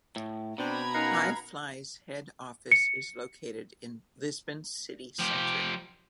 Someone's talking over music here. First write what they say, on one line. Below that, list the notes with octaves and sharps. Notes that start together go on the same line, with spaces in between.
Hi Fly's head office is located in Lisbon's city centre.
A2
B2 C4 D4 A#5 B5 G#6
C#4 D#4 A#4 F5 F#5
C#7
F3 G4